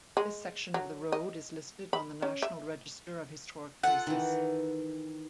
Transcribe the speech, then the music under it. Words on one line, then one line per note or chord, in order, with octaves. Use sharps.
This section of the road is listed on the National Register of Historic Places.
G#3
F#3
D#5
B5
C#4
E5
F4 A4 F#5
D#3 E3